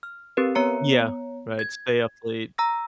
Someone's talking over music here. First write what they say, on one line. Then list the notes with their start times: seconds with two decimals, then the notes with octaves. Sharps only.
Yeah. Right, stay up late.
0.03 F6
0.37 C4 G4 A#4 B4
0.55 B3 C#5 A#5 C#7
1.59 G#6
2.58 A#5 E6 A#6